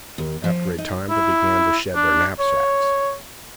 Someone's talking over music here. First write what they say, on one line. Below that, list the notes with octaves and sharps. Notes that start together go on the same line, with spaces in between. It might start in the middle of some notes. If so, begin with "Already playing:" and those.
After a time they began to shed their knapsacks.
D#2
F3
D#4
E4
D4
C#5